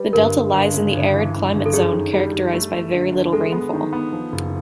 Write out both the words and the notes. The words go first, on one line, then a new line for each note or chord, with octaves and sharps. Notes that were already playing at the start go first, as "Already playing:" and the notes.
The delta lies in the arid climate zone, characterized by very little rainfall.
Already playing: G3 B4
G1 A#4
G1
G1
C#3
G1
E3
G1
G1
A4
F#2 G#4
D#3
G3
G3
A3
A3
D3
D3
G#3 A4
B3
D#3
B3
F3
F#1